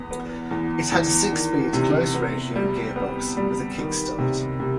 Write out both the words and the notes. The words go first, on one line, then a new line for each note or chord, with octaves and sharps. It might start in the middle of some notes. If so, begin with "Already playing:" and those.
It had a six-speed close ratio gearbox with a kick-start.
Already playing: E2 B3
B3
E2
E2
D#3
C3
B3
G3
B3
G3
D#3
C3
C3